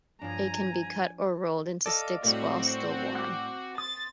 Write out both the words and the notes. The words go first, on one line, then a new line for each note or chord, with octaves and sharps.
It can be cut or rolled into sticks while still warm.
G2 F3 D4 C#5 F5 G#5 A#5
A4 D5 D#5 F5
A2 G3 C4 F#4
F#5 D6
C6 D#6 A6